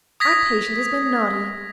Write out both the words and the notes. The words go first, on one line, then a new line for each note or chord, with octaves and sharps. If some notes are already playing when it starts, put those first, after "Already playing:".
'Our patient has been naughty!
D#6 G#6 A#6 B6